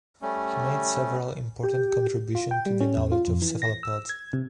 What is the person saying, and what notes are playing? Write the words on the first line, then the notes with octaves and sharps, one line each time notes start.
He made several important contribution to the knowledge of cephalopods.
G3 A3 C#4
G4
F4
G5
G3
C#4
E2
F4
F2
E3
A#6
E6
G#6
C3